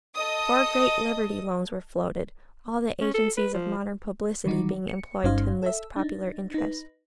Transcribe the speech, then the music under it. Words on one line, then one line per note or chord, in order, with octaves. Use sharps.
Four great Liberty Loans were floated, all the agencies of modern publicity being employed to enlist popular interest.
A4 D#5 D#6
C#4
A4
B4
F3
D#3 E3 F#3 G3 D#4 F#4
C#7
G1 G2 C#4 D#4 C5 F5
A4 E5
D4 D#4
D#4 B4